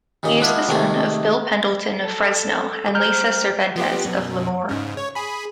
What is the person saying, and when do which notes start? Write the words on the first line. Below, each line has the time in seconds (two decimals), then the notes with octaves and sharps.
He is the son of Bill Pendleton of Fresno and Lisa Cervantez of Lemoore.
0.23 D#2 A#2 C#3 D#5
0.41 G#3 B3 D4 E4 F4
0.68 C3 D#3 G#3 A3 G#4
2.04 A4
2.95 G3 C5 A#5 F6 G6
3.76 F3 B3 G4
4.05 F#2 B2
4.69 G#2 C#3
4.97 C#5
5.15 G#4 B5